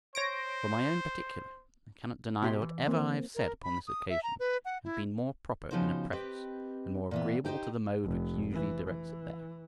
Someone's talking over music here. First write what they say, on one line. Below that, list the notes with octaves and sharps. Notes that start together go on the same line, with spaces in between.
For my own particular, I cannot deny that whatever I have said upon this occasion had been more proper in a preface, and more agreeable to the mode which usually directs it there.
C5 C#5 A#6 D7
B2 G4 C6
E3
A#3 C4
A#4
B5
D#6
E5
A#5
B4
F#5
E4
C#3 F3 B3 D#4 F#4 C5
C4 G4 B4 D#5
A#2 E3 B3
D#4 G4 A#4 C5 D#5
F1
E3
E3